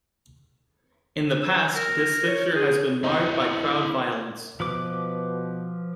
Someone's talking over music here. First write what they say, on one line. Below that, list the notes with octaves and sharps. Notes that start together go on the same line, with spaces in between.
In the past this fixture has been marred by crowd violence.
E6
A#4
C#5
G#4
E4 D#5
B2 F3 B4 D6